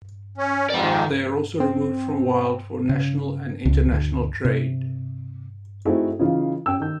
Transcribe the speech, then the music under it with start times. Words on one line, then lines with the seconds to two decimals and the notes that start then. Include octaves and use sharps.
They are also removed from wild for national and international trade.
0.38 C#4
0.70 F2 G#2 C3 D5 G5
0.83 D#3
1.60 C4
2.89 C#3
3.65 C#2
3.92 D2
4.45 C3
5.85 A3 C4 D#4 E4 F#4 G#4
6.19 C#3 E3 D#4 F4
6.66 C#4 G5 E6
6.80 D#3 G6